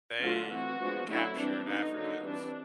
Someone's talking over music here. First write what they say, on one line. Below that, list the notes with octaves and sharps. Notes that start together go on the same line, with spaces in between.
they captured Africans
D3 F#3 A3 D4 F4
E3 A3 C4 F#4
F3 G#3 B3 D4
D3 F#3 A3 C#4 E4
E3 G3 C4 D4
D3 F#3 B3 D#4
D3 F#3 A#3 D#4
E3 G3 C4 D4